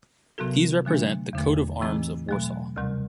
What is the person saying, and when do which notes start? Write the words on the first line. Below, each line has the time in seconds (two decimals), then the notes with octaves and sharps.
These represent the coat of arms of Warsaw.
0.38 C3 F#3 B3 F#4 A4
0.85 D3 F#3 A3 D4
1.33 E2 D3 A3
1.81 A2 E3 A3 C4 E4
2.29 B2 F#3 A3
2.77 D2 C3 G3